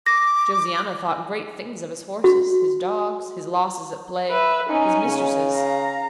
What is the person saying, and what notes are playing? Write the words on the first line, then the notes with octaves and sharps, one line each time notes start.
Josiana thought great things of his horses, his dogs, his losses at play, his mistresses.
D6 A#6
F#4
B4 E5
C#4 D#4 G#5
C#3
F5 A#5